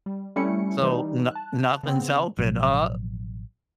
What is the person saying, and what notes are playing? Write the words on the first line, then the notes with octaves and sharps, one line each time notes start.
So, no nothing's helping, huh?
G3
G3 A3 C4 C#4 E4 C#7
E3 G3 D#4
A5 F#6
C#3 B3 C4
A1 B2 F3 F#3